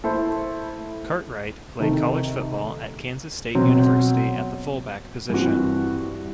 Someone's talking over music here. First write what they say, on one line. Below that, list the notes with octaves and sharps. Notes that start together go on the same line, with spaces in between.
Cartwright played college football at Kansas State University at the fullback position.
A3 E4 A4 C5
C3 D#3 A3 D#4 A4
B2 F#3 C4
G2 E3 G3 C4 F#4